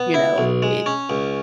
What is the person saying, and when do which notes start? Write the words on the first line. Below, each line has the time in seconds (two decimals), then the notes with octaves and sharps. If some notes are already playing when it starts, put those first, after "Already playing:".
you know, it
Already playing: B3
0.14 E4
0.38 B1
0.63 G#3
0.86 C#4
1.10 C#2